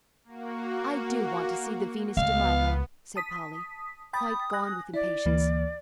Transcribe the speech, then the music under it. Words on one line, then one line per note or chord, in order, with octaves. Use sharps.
"I do want to see the Venus de Milo," said Polly, quite gone with impatience.
A#3 F#4
C#2 B3 F5
A5 D#6 B6
G5 B5 D#6 A6
G#5 F#6 A#6
E4 D5
D2 E3 A#3